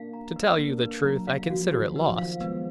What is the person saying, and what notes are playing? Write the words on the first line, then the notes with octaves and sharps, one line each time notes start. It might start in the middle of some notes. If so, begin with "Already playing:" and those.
"To tell you the truth, I consider it lost."
Already playing: A#3 D4 F5
A#5
B4
A#3 D4 B4
B4
F#3 A#5
F5
F3 F#4
F#4
D#3
B4
F3
F5
G#3 B3 B4